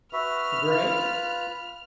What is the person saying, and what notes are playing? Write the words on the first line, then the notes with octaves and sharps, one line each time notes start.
"The grave?"
F#4 B4 E5 F6
F4 B4